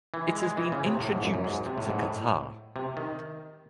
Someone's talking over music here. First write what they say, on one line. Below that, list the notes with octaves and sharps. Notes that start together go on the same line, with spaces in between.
It has been introduced to Qatar.
E3
G#3
G#3
E3
C#3
C3
A2
G#2
F#2
F#2
G#2
C3
A2
G#2
A2
C3
D#3